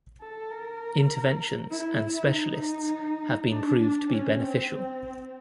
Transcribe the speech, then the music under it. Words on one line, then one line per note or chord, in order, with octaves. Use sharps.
Interventions and specialists have been proven to be beneficial.
A4
A#4
E4
D#4
D4
D4
C#4
C4
C4